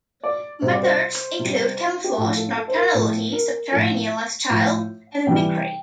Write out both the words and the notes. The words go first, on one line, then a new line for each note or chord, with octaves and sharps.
Methods include camouflage, nocturnality, subterranean lifestyle, and mimicry.
D5
C3 G3 C5
D5
C5
C3 G3
G4
A2 F3 A4
A4
A4
C5
A#4
A2 F3 A4
A#4
A2 F3 A4
A2 F3
C3 E3 G3 G5